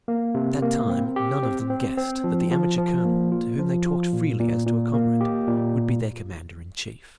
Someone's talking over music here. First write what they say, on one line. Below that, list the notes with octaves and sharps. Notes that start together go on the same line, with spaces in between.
At that time none of them guessed that the "amateur colonel," to whom they talked freely as to a comrade, would be their Commander-in-Chief.
A#3
C3
A#3
C4
G4
C4
C4
C4
F3
F3
F3
A#3
F4
F3
F4
A#2
A#2
A#2
A#3
G4
A#2